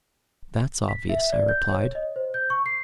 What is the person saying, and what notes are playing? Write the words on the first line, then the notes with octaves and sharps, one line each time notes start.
"That's obvious," I replied.
B6
E5
D5
G6
C#5
D#5
C5
G6
C#6
C7